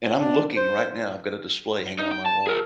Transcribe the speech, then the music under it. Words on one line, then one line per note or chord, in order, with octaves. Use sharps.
and I'm looking right now, I've got a display hanging on my wall.
D4
C5
D#4
G5
A5
G#4 A#4